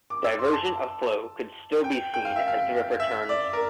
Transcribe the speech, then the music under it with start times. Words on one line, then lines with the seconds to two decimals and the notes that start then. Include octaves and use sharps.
Diversion of flow could still be seen as the river turns.
0.10 D6
0.24 E6
0.39 C6
0.53 A5
1.84 G5
2.14 G5
2.25 F5
2.36 E5
2.48 F5
3.00 E5
3.29 D5
3.53 A#4